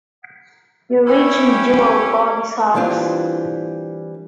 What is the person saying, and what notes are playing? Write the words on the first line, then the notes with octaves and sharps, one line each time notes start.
Norwegian duo Bobbysocks!
C#4 E4 G4
E3 G3 A#3 C4 D4 F4